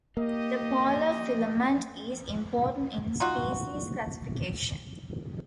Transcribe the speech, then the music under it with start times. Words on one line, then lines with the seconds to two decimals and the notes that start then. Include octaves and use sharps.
The polar filament is important in species classification.
0.17 A#3 D#4 G4 D#5
3.20 D#4 F4 F#4